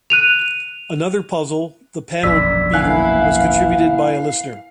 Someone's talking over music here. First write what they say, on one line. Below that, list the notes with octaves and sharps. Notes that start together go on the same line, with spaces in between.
Another puzzle, the Panel Beater, was contributed by a listener.
F#6 D#7 F7
E1 A#1 F#2 D5 E6 B6
A#3 B3 E4 F5 G#5 F#6